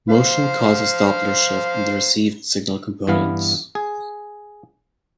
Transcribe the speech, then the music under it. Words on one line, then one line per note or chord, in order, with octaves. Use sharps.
Motion causes Doppler shift in the received signal components.
C5 F5
G2 E3 B3 F5
G#4